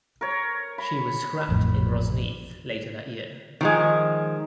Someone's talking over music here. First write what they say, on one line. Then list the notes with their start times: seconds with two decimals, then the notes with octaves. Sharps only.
She was scrapped in Rosneath later that year.
0.21 A#4 C#5
0.78 B5
1.49 A1 F2 A2
3.61 D#3 F3 G#3